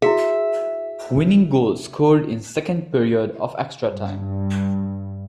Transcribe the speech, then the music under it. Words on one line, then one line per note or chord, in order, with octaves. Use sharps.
Winning goal scored in second period of extra time.
E4 F#4 G#4 E5
G2